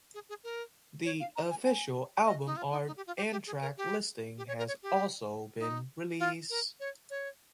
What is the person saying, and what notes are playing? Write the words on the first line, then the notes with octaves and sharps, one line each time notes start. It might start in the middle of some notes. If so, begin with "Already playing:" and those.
The official album art and track listing has been also released.
G#4
G#4
A#4
C#5
F5
A#5
G#5
G#5
D#5
D#4
F4
D#4
D#4
G4
F4
G4
G4
G#4
A#4
G4
G4
C#5
A#4
C#5
G4
D#4
F4
A#4
C#5
C#5